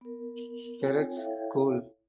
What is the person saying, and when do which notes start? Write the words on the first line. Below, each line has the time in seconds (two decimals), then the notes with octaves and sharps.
Peretz School.
0.01 B3 A#4
0.80 C4 F4 C#5 G5 G#5
1.16 E4 A4 C#5 E5 F5 G5